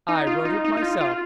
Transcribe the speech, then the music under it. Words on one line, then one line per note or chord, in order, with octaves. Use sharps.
"I wrote it myself."
D#4
F4
D#4
D#4
D#4
F4
F4